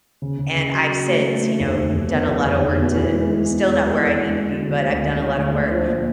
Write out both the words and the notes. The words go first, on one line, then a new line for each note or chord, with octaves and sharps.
and I've since, you know, done a lotta work to n still not where I need to be, but I've done a lotta work,
C#3
C#3
C#3
F#3
F#3
A3
A3
A3
F1
F1
F1
E2
F1
F1
F1
B2
E3
G#3
G#3
E2
E2
E2
E3
G#3
D3
F#3
D3
D2
D3
D3
D2
D2
F3
A#2